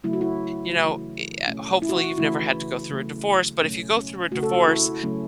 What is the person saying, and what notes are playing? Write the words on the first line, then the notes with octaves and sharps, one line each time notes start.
you know, e uh, hopefully you've never had to go through a divorce, but if you go through a divorce,
C#3 F#3 A3 E4
F#4
E4
C#3 E3 A3
B2 A3 C#4
E4
F#4
E4
C#3 E3 A3 E4
C#3 F#3 A3
B2 F#3 A3 C#4
C#4
C#3 A3 F#4
A4
F#4
E4
C#3 F#3 A3 C#4